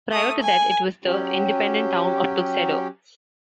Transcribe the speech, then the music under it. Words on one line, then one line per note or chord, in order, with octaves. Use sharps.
Prior to that it was the independent Town of Tuxedo.
A3 D#6
G#5
F#3 C#4 G4